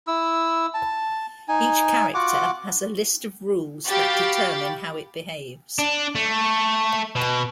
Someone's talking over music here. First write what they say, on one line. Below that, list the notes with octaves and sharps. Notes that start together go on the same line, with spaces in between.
Each character has a list of rules that determine how it behaves.
E4 E6
A5
D#4 G#5
F4 F#4 F#5 D6
F#4 G4 F5 B5 A6
D4
A3
B2